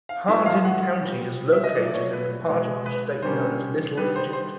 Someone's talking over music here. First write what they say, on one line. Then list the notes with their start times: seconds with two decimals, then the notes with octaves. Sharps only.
Hardin County is located in the part of the state known as Little Egypt.
0.09 F5
0.28 A2 F3 G#3 B3 E5
0.46 F5
0.65 F#5
1.01 A#2 G3 B3
1.52 E5
1.64 D#5
1.75 A#2 F#3 A3 D5
1.88 D5
1.94 C#5
2.13 B4
2.49 B2 G#3 B3
2.86 B4
3.22 D3 G3 A#3 C#4 C5
3.97 D#3 G3 B3 B4
4.16 C5
4.33 C5